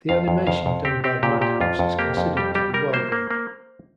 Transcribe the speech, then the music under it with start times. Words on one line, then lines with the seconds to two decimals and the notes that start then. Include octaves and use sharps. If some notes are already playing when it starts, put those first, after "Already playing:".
The animation done by Madhouse is considered to be well done.
0.09 F2 F5
0.28 F2
0.47 F2 F5
0.66 F2
0.85 C4 G4
1.04 C4 G4
1.23 A#2 G4
1.41 A#2 G4
1.60 F2 F4
1.79 F2
1.99 A#3 G4
2.17 F2
2.37 G3 G4
2.55 G3 G4
2.74 G3 A#4
2.93 A#3 C5
3.12 A#3
3.31 A#3